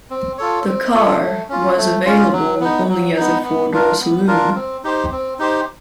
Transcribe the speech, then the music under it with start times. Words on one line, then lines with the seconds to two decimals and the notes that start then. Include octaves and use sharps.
The car was available only as a four-door saloon.
0.10 C4
0.38 F4 A4 C#5
0.66 C4
0.94 F4 A4 C#5
1.21 A3
1.49 C#4 F4
1.77 A3
2.05 C#4 F4
2.33 F#3
2.60 B3 D#4
2.89 F#3
3.16 B3 D#4
3.44 B3
3.72 D4 F4 A#4
4.00 B3
4.27 D4 F4 A#4
4.55 C4
4.84 D#4 G4 C5
5.12 C4
5.39 D#4 G4 C5